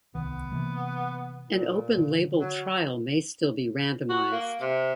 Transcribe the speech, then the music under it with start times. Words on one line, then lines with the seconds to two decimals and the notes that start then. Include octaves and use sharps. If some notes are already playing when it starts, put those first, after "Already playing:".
An open-label trial may still be randomized.
0.15 D1 C2 D#3 B3
0.51 C3 E3 A#3
1.50 A#2
1.97 D3
2.41 F#3
4.10 F#4
4.32 A#3
4.61 C3